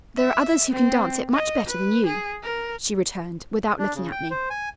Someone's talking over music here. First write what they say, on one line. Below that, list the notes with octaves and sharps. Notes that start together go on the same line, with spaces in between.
"There are others who can dance it much better than you," she returned, without looking at me.
E5
C4
D#5
B4
G#4
A#4
D4
C#3
G5
C5
G#5